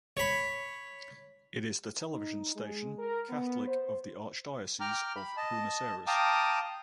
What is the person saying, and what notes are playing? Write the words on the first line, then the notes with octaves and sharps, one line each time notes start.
It is the television station Catholic of the Archdiocese of Buenos Aires.
C#5 B5
D#4
G#3
A#4
B3
C5
G5 A#5 D6 F6
B5
D#5 A5
F5 G5 A5 A#5 D6 D#6